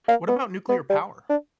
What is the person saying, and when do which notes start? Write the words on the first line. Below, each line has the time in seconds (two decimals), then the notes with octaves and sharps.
What about nuclear power?
0.08 A#3
0.29 B3
0.69 B3
0.90 G3
1.30 D4